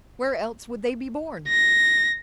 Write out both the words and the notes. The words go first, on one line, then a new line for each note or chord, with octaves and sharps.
"Where else would they be born?"
A#6